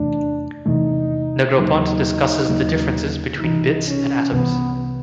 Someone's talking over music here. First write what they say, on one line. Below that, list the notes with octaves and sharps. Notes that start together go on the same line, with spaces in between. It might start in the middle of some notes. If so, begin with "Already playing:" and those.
Negroponte discusses the differences between bits and atoms.
Already playing: E2 C3 E3 A3 D4
E2 C3 E3 A3 D#4
D#2 C#3 F#3 A#3 D#4
D#2 C#3 F#3 A#3
C2 C3 E3 D#4
C#4
C2 C3 E3 B3